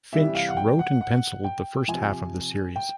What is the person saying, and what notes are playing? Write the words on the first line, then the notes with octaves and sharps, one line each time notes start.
Finch wrote and penciled the first half of the series.
C3 E3 G3 E5
F5
F#5
G5
F#5
F#5
G5
C3 F3 G#5
G5